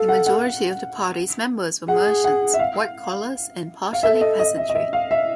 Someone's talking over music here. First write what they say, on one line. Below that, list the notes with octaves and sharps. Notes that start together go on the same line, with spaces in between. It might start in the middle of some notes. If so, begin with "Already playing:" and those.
The majority of the Party's members were merchants, white-collars and partially peasantry.
Already playing: A4 F5
F#5
F#5
G#4 F#5
F#5
E5
F5
F5
A#4 E5
A4
D#5
D#5
E5
D#5
E5
F5
E5